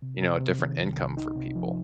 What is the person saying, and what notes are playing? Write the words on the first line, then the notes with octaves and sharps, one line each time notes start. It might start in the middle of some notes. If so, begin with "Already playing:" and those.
you know, a different income for people.
C3
C3
C3
D#3
C2
C2
D#4
C3
F3